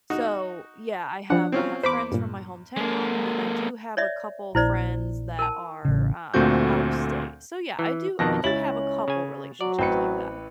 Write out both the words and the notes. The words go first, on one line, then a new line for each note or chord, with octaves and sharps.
so yeah, I have I have friends from my hometown and then I do have a couple friends that are, uh, out of state. So, yeah, I do I do have a couple relationships like that.
D#4 F#4
F3 D4 F#5
C4 C#4 F4
E2 C5 B5 D6
G2 A#2
G#3 A#3
C#5 D5 E5
A#1 E4 C5 D5
A#4 A5
A1 C#3
D2 A#2 A3 C4 F#4 G6
E3
F2 B2 D#3 A5 F#6 A#6
C#2 C#4 E4 A6 F#7
C#3 G#5
F#3 D5
A1 C4 B4 C#7